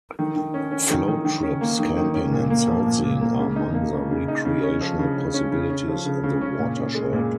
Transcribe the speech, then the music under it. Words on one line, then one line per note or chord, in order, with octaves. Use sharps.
Float trips, camping, and sightseeing are among the recreational possibilities in the watershed.
D#3
D#3
C#4
C#4
D#3
D#3
D#3
C#4
A#3
D#3
D#3
C#4
A#2
A#3
F3
A#2
A#2
A#3
C#3
D#4
A#3
C#3
C#3
D#4
C#3
C#4
F3
C#3
C#3
C#4
C#3
C#4
F3
C#3
C#3
C#4
A#2
C#4
G#3
A#2